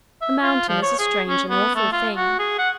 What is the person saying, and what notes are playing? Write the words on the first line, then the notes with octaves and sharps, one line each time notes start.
A mountain is a strange and awful thing.
E5
F4
F3
C#5
G#4
C#4
B3
A3
F4
F#4
G#4
F#5